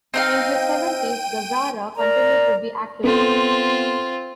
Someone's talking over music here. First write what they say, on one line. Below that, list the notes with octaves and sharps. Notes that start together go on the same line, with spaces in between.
In his seventies, Gazzara continued to be active.
C4 D#4 F5 G5 D#7
A#4 D5 A#5
B3 C4 F4 A4